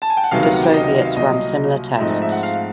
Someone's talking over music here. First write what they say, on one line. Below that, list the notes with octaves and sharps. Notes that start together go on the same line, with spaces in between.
The Soviets ran similar tests.
A5
G#5
G5
F#5
D2 C3 D#3 F#3 B3 F5
F5
F#5
G5
D#5
D#5
D#5
F5
E5
C2 A#2 F#3 D#5
E5
G#2 F3 A3 C4 D#5
D#5
E5
F#5
F5